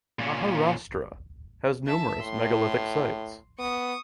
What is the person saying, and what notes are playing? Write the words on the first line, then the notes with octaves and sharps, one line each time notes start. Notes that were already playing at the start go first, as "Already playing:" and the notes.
Maharashtra has numerous megalithic sites.
A#2 C#4
E5 A5
A2 C6
B3 C#6 D#6